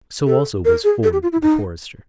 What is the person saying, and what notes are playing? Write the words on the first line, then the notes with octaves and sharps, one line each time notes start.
So also was Ford, the forester.
A4
A#4
G#4
A4
G4
F4
E4
D#4